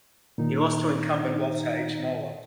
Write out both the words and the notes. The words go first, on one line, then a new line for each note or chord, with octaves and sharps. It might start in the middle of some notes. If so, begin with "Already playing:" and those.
He lost to incumbent Walter H. Moeller.
A#2 D#3 D#4